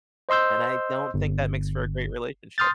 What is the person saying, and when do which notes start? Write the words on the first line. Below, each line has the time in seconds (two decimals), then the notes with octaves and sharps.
and I don't think that makes for a great relationship.
0.29 C5 D#5 C6 E6 G6
1.14 G1
2.58 C6 D#6 F6 G6 A6